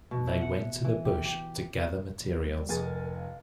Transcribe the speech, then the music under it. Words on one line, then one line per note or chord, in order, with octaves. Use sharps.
They went to the bush to gather materials.
B2
E4
F#5
E3
G4
G4
G3
F1 G#4 G#5 A6
A#4
F5